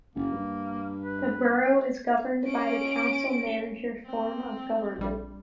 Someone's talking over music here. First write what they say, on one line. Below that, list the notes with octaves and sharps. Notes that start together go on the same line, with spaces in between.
The borough is governed by the Council-Manager form of government.
F#1 A#3
G2
B4
C#4 D7
C4
A#1 G3